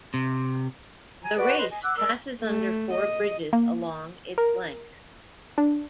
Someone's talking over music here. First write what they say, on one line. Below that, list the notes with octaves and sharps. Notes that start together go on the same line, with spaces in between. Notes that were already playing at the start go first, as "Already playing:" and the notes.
The race passes under four bridges along its length.
C3
G#5 A#5
F#4 B4 D5 F#5
B4 C5 D#5
D#5 G#5
F#5 D6 E6 F#6
A#4 D5 E6
A3
D#5
A#3
A#4
D4